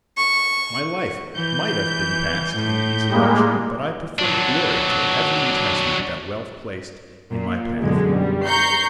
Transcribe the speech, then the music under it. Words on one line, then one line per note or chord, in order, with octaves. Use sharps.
My life might have been passed in ease and luxury, but I preferred glory to every enticement that wealth placed in my path.
C#6
E3 G6
A2
G3 G#3 A#3
F#3 D4
A#2
F#2 B2 D3 G#3
G3
A#5 C#6 G6 C7